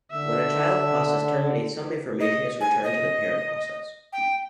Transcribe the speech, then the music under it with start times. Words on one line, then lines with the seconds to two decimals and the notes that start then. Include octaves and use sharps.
When a child process terminates, some information is returned to the parent process.
0.12 D3 E5
2.20 D#5
2.61 G#5
2.83 D#5
4.13 G5